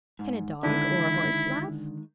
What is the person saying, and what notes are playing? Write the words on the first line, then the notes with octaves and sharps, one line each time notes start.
Can a dog, or a horse laugh?
G#2
D3 D#3 G#3 D4 E4